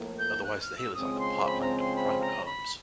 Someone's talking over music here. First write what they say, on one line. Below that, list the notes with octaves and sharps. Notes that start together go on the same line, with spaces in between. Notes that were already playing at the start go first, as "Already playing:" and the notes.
Otherwise the hill is either parkland or private homes.
Already playing: A2 F3 A#3
G6
F#6
F6
E6
C#3 F3 G#3 C4 D#6
C6
B5
A#5
C6
B5
A#5
B5